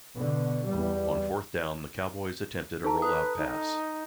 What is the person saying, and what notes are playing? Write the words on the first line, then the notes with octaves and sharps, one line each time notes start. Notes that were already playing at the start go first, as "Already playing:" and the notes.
On fourth down, the Cowboys attempted a rollout pass.
B2 D3
E2 G3
D#4 A4 A5 A#5
B4 D#6
D#4